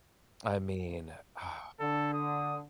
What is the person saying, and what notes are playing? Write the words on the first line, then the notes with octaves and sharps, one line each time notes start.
I mean, uh
D3 A4
D#6